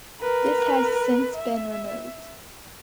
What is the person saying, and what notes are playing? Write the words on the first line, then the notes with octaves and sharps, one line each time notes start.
This has since been removed.
A#4 B4
E5